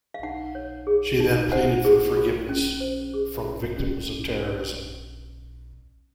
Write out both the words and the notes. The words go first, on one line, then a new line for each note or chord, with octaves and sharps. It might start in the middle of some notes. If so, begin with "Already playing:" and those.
She then pleaded for forgiveness from victims of terrorism.
F5
D#4 F#5
C#5
G#4
D#4
C5 F#5
G#4
F4
C#4
C5
G#4
F4
C#4